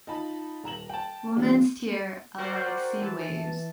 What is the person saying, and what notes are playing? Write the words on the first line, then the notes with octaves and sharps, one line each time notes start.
Women’s tear a like sea waves.
D#4 F4 A5 B5
D#1 A#5 E7 F#7
G5 A5
C3 E3 G3 A#3 D4 F4
F#4 A#4 C5 D5 F#5 G5
E3 A5